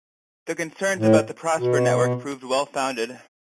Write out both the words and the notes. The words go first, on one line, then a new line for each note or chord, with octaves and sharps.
The concerns about the Prosper network proved well-founded.
A2
B2